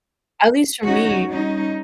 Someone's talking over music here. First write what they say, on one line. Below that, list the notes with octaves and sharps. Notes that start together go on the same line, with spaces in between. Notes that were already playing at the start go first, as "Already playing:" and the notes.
at least for me,
C#4 D#4 F#4 C#5
G3 C#4 D#4